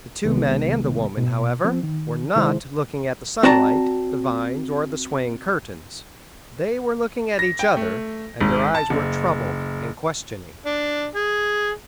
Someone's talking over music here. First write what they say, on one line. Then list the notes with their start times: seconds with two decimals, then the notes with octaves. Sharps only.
The two men and the woman, however, were not looking at the sunlight, the vines, or the swaying curtains; they were looking at each other, and their eyes were troubled and questioning.
0.24 C2 C3 D#3 G#3 B3
1.17 B2
1.64 F3 C4
1.83 D#3
2.35 C3 D#3 G#3 E4 C5
3.43 C4 F#4 D5 A5 A#5
7.39 A#6
7.59 G5
7.77 A3
8.41 G#1
8.75 A5
8.90 F#1
10.66 D4
11.15 G#4